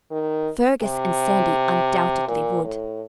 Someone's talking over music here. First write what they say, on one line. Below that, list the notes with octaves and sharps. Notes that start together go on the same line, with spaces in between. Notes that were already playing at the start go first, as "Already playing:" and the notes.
Fergus and Sandy undoubtedly would.
D#3
C3
A#2
A2